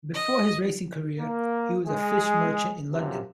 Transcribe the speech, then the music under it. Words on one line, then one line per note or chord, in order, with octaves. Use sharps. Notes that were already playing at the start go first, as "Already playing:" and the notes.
Before his racing career he was a fish merchant in London.
D#5
A#3
G#3 G#4
F#2 C3 F3